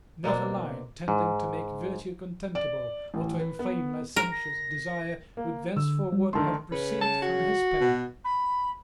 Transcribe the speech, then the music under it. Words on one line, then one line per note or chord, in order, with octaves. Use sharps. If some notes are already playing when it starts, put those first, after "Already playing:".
Not a line tending to make virtue contemptible, or to inflame licentious desire, would thenceforward have proceeded from his pen.
B2 A#3 C4 D4
G#2
D5
A1
B4
B3
A#4
A#6
A#3
D3 E6
G3
D3 D#3 A3 A5 C6
C#3 B4
A5
F#4
B2
B5